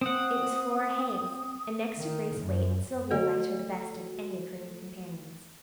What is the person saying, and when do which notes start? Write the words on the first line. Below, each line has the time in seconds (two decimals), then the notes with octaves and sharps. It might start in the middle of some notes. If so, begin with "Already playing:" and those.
It was Flora Hayes; and, next to Grace Waite, Sylvia liked her the best of any of her new companions.
0.01 C4 F#5 D#6
1.97 D#3
2.39 F#2
3.11 D3 A3 F#4 A4